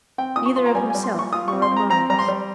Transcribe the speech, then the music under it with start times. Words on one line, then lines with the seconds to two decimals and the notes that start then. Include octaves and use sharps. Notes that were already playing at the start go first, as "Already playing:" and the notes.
Neither of himself nor of Marius.
0.18 C4 G5
0.36 A#2 D#6
0.46 C#6
0.56 F4 C6
0.66 A#5
0.75 G3 G#5
0.90 G#5
0.95 G3
1.04 C6
1.14 A#2 C#6
1.33 F4 D#6
1.48 C#6
1.52 C4
1.62 C6
1.72 C4 A#5
1.90 C4 A#5
2.10 G3 A#5
2.19 C6
2.28 G3